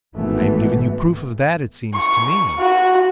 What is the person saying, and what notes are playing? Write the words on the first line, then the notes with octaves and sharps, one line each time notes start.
"I have given you proof of that, it seems to me."
G#1 E3 A3 B3
C#6
F#4